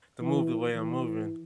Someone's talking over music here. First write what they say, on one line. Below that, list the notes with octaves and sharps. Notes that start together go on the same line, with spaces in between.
to move the way I'm moving
E3
E3